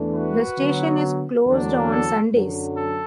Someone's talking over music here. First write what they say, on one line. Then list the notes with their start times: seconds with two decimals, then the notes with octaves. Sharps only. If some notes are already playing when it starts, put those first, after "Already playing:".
The station is closed on Sundays.
Already playing: E2 E3 A3 D4
0.13 F#4 B4
0.57 D3 F#3 B3
1.45 E2 D3 F#3 D4
1.90 A4
2.34 F#2 D3 F#3
2.76 A4